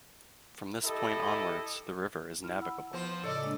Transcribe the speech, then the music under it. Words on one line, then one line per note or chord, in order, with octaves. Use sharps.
From this point onwards the river is navigable.
E4 G4 A4 D#5
E4 F6
F#5 B5 E6
F3 B3 C5
A2 C#3 A4 D5 D#5
G#3 A#3 D4